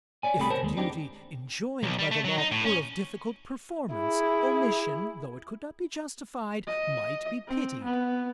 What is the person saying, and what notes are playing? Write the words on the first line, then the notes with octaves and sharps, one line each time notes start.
If the duty enjoined by the law were of difficult performance, omission, though it could not be justified, might be pitied.
C#5 D5 G#5
C2 C3 A3 G4 G#4 B5
A#4 C5 C#5 A5
D#2 G#3
C4 D4 D#4 G4
B1
G3
A3
F#3
D#4
A2
C#4
E4 G#4
D#5
C4
B3